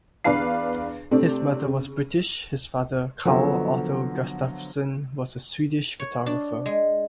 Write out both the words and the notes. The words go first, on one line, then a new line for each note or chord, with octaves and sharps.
His mother was British, his father, Carl Otto Gustafson, was a Swedish photographer.
E2 D4 B4 F5 C7
C3 A3 C4 D4
C#3
D3 F3 F#3 B3 A4
C#5
D4
G#3